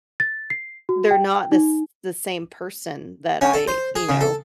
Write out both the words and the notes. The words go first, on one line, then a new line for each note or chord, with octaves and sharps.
They're not the s the same person that I, you know
A6
C7
F#4
G5
D#4
C#4
A4
C5
G#4
C#3
A4